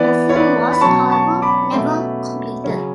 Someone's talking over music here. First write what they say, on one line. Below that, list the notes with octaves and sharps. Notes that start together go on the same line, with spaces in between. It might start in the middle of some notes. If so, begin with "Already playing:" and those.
The film was, however, never completed.
Already playing: E3 B3 B4 D5
C#5
B4 D5
B5
B2 F#3 C#4 A5 C#6
A5 C#6
B5 D6
B2 A3 C#4
C#3 F#3 C#4